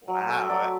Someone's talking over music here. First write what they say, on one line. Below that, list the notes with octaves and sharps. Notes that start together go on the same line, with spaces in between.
Wow, tha
F#3
A3 C4 E5
F#3 D5